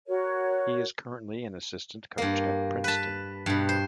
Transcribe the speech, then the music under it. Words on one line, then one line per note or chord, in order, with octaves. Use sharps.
He is currently an assistant coach at Princeton.
F#4 A#4 C#5
G2 A#3
B4 A5
G2 B2
C5